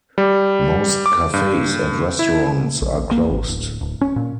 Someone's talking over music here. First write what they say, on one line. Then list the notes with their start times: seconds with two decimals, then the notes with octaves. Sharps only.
Most cafes and restaurants are closed.
0.18 G3
1.06 D6
1.34 G2
2.19 E4
2.82 A#1
3.11 A#3
3.30 G#1
3.48 D1
3.81 D1
4.01 C#4
4.16 A#2